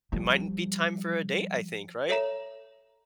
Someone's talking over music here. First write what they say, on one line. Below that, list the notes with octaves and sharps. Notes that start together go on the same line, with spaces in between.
it mightn't be time for a date, I think. Right?
F3 G3
A4 C#5 E5 A#5 E7